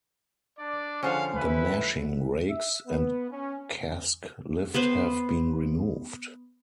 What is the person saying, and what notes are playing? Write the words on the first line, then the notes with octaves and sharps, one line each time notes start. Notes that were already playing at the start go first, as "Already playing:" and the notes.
The mashing rakes and cask lift have been removed.
D4 D5
D3 F3 C#4 F5 F#5
E4 B4
E5
B3
C#4
B3 B4 C5